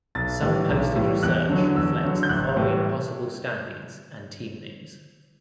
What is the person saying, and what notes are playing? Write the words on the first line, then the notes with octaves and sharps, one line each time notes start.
Some posted research reflects the following possible standings and team names.
B1 A6
A2 E3 G3
B1
A2 E3 G3
E2 F#6
D3 F#3
E2 E6
D3 F#3
G6
A1 F#6
A2 E3 G3